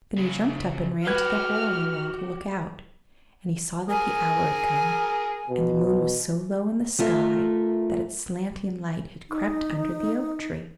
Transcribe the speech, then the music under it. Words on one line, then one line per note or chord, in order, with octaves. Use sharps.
Then he jumped up and ran to the hole in the wall to look out, and he saw that the hour had come, and the moon was so low in the sky that its slanting light had crept under the oak-tree.
C#3 F#3
F#4 G4 B4 F6 G#6
G#4 A#4 G#5
B2
A3 F4 A#4 E5
D#4